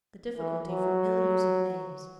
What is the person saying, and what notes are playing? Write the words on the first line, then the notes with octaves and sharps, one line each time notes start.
The Difficulty from ill Use of Names.
E3
F#3